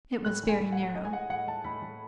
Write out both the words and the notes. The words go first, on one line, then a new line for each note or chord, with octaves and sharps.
It was very narrow.
A2 F#6
A2
G#5
A2
F#5
A2
A2 D#5
G#5
G#3 F#5
A2 F#5
A2 A5
A2 B5
A2